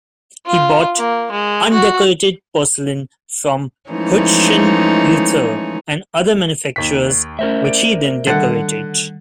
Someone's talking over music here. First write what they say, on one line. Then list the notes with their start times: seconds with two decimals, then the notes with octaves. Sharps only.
He bought undecorated porcelain from Hutschenreuther and other manufacturers which he then decorated.
0.46 F4
0.97 A#3
1.31 G#3
1.73 F#4
3.89 E3 F3 G#3 A3 C#4 D#4
6.76 D#2 B6
7.39 A3 C#4 A#4 C5 E5
7.62 D5 D7
8.27 D3 D#3 G3 F#5 A6